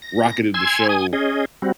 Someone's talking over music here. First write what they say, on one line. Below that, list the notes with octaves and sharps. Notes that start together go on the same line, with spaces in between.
rocketed the show
A#6
G#5 C6 E6 G#6
G#5 D#6
C#4 G#4 D#5
G3 C4 F#4